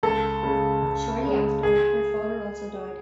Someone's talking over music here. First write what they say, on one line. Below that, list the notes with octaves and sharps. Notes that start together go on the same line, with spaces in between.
Shortly afterward, her father also died.
C#2 A4
C#3 G#3
C#2
C#3 G#3
G#4